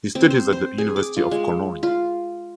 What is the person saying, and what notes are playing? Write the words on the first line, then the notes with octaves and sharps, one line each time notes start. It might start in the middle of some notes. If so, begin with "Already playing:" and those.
She studies at the University of Cologne.
C4
C5
C5
G#4
D6
F4
G#3
F4